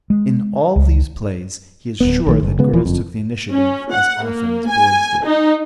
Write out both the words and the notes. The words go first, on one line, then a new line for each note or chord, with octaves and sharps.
In all these plays he is sure that girls took the initiative as often as boys did.
G#3
C#2
D1 G#1 B3
A#1 D#3 A3
F#1
C#3 G#3 B3
D#1 E3 F3
F#1 F2
C#4
F#5
A#3
G#5
D#4